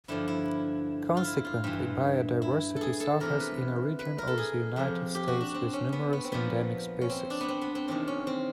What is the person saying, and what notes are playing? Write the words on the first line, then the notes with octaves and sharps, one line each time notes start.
Consequently, biodiversity suffers in a region of the United States with numerous endemic species.
G2 D3 F3 E4
E4
F4
E4
F4
G2 E3
E4
G#4 A4
A4
E2 C3 E3 A#4
B4
B4
A#4
A4
G#4
F2 C3 F3
G4
F#4
D4
C4
C#4
B3
B3
C4
A#2 F3 B3
C#4
C4
D4
B3
C4
B3
C4
E2 C3 D#3 C4
C#4
C4